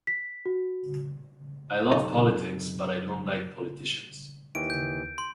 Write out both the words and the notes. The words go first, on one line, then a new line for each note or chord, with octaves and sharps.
I love politics but I don't like politicians.
B6
F#4
F#2 C3 D#4 A4 D#5
D#2 D#3 E3 D7
G6
C6